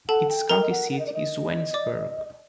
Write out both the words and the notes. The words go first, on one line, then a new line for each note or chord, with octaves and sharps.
Its county seat is Waynesburg.
A4 F#5 A5
G5
A#4 G5 A#5
D#5
F#5
F#5
D#5
D5
D#5
D5 D6